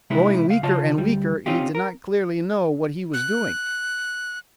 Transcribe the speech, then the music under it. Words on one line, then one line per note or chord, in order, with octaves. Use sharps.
Growing weaker and weaker, he did not clearly know what he was doing.
C3 G#3 D#4 E4 G#4 B4
C#2 F5
C#3 F4 C#5 D#5 A5
D2 G3
C4 C#4 D#4 F4 G4
A#4
F#6